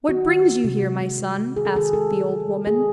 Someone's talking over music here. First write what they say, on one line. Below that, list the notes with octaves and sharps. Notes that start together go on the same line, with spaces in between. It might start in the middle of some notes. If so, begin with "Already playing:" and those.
'What brings you here, my son?' asked the old woman.
D#3 F#4
D#3
D#3
C3
G#3
C3
C3
G#3
D#3 G#4
A4
D#3 G#4
G#3 A4
G#3
G#3
G#3
G#3 G#4